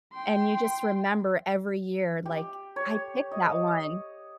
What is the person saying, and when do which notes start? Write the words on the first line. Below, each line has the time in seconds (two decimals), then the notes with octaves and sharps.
and you just remember every year like, "I picked that one."
0.13 G5 C6
2.26 G4
2.76 C#5
3.31 D#5